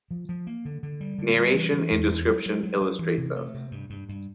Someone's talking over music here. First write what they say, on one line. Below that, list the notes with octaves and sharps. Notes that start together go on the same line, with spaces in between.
Narration and description illustrate this.
F3
F3
A#3
D3
D3
G3
D3
G3
E3
E3
E2
E2
F#3
F#3
F#3
F#3
E3
C3
A3
C3
G2
G2
G2